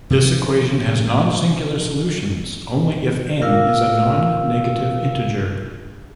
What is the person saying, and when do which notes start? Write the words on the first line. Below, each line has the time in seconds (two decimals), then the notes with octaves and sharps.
This equation has nonsingular solutions only if "n" is a non-negative integer.
0.10 C3 D#3 F3
3.41 D4 F4 A#4 F5 E6